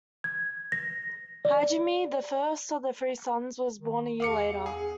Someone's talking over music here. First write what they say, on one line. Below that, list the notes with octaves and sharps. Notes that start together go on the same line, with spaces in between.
Hajime, the first of their three sons, was born a year later.
G#6
A#6
D5
D#3
E2 F5 D6 C#7
G#4